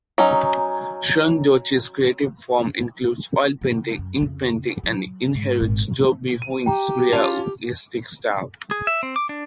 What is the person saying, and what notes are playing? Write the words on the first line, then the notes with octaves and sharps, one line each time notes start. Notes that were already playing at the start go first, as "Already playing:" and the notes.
Sun Duoci's creative form includes oil painting, ink painting, and inherits Xu Beihong's realistic style.
F#3 C#4 D#4
C#3
F#2
F2 C#3
F#3
G#2
G#1 A#2
D#7
G4 G5 A#5
C#4 F4 A5 F7
G#4
E5
C4
D6
D4